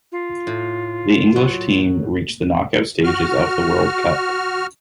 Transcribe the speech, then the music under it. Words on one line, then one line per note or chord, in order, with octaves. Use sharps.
The English team reached the knockout stages of the world cup.
F4
A2
F#3
F#4 F6